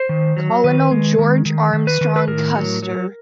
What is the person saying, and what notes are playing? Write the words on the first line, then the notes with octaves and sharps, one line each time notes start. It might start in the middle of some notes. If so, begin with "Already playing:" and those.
Colonel George Armstrong Custer.
Already playing: C5
D#3
F#3
D#3 B4
G#3
D#3
D#3
D#3
B4
D#3
B4
A2 A#4
F#3
F#3